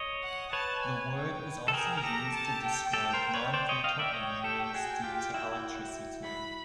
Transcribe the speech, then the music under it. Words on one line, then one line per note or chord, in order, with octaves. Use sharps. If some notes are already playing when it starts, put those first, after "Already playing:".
The word is also used to describe non-fatal injuries due to electricity.
Already playing: C#5 D#5
F#5
B4 C#5 A5
G#5
G5
A4
G#4 A#4 G5
A#4
G4 A4 A#5
A5
G5
G4 A4
A#4 C5
B4 C#5
C5 D5 G5
C#5 D#5
D#5 F5
D5 E5
C#5 D#5
G4 A4
F#4 G#4
F4 G4
E4 F#4
B5